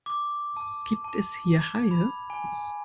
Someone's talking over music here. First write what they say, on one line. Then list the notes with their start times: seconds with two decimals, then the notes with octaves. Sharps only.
Gibt es hier Haie?
0.06 D6
0.57 A5
1.04 A5
1.62 G#6
1.91 B5
2.30 G#5